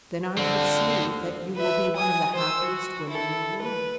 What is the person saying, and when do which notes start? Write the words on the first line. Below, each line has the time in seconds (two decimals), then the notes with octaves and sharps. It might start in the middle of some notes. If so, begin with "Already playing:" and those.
"Then I foresee that you will be one of the happiest women in the world."
0.37 D3 F3 C4
1.57 B4 E5
1.96 G#5 D#6
2.34 C5 E6
2.63 F#4
3.10 E4 A4
3.62 B4